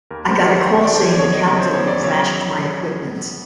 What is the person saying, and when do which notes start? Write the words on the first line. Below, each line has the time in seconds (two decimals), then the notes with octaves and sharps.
I got a call saying the captain had trashed my equipment.
0.10 D#2 A#4
0.29 C5
0.38 D#3 F#3
0.47 D5
0.58 F#5
0.65 D#2 G5
0.84 D5
0.92 D#3 F#3 C5
1.01 C#5
1.12 D5
1.19 E2 C#5
1.33 D#5
1.47 C#3 F#3 C#5
1.60 C5
1.73 E2 C#5
1.87 D5
2.00 C#3 F#3 C#5